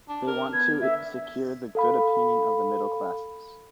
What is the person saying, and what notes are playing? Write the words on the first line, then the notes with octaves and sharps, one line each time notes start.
They want to secure the good opinion of the middle classes.
D4
A#4
B3 G#6
D3 E5
A4 F5 B5